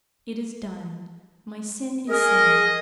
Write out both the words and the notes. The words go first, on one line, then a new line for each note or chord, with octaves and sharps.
It is done--my sin is sinned.
G#4 A#4 D#5